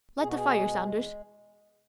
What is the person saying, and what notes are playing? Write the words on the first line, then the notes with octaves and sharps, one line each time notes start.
Light the fire, Saunders.
B2 G#4
F#4
G#4
G#3
E2